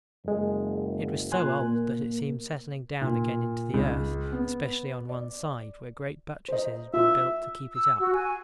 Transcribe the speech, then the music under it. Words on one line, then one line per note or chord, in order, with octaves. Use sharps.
It was so old, that it seemed settling down again into the earth, especially on one side, where great buttresses had been built to keep it up.
F#1 F#2 G#3
A#2 G#5 C6 F#6
A#2 A#3
A#2
C#2
B3
D5
C5 D#5
F4 E5
E6
F#4
G#5